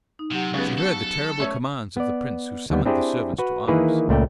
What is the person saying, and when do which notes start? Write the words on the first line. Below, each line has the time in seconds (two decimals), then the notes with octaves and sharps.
She heard the terrible commands of the prince who summoned the servants to arms.
0.19 D#4
0.32 C3 F#3 G4 F#5
0.54 C#2 C#3 B3
0.78 A4
1.40 A3 C#4
1.97 B3 D5
2.70 D#2 G3 B3
2.85 C4 D4 E4 G4 G#4 C5
3.38 F#4 B4
3.68 D#3 E3 A#3 E4 G#4 B4
4.09 C#2 A#2 A3 D5 G5